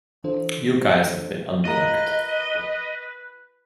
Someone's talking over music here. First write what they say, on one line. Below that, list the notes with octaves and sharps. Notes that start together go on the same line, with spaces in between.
You guys have been unplugged!
E3 D4 F4 A4 C5
F4 A#4 B4 D#5